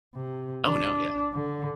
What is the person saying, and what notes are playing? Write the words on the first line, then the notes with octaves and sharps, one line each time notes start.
Oh no, yeah.
C3
D4
D3